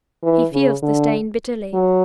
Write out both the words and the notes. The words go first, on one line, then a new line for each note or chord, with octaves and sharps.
He feels the stain bitterly.
E3
C#3
D3
F#3